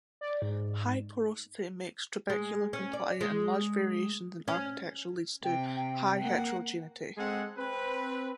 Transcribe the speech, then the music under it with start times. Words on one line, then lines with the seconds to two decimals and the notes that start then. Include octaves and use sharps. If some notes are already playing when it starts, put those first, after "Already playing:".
High porosity makes trabecular compliant and large variations in architecture leads to high heterogeneity.
0.21 D5
0.42 G#2
2.30 G#3
2.73 C#4
2.93 D5
3.21 G#3
4.48 C#4
5.44 C3 G5
5.76 G5
6.22 A#3 F#5
7.17 G#3 C4 G#4 A4 F#5
7.58 C4 B4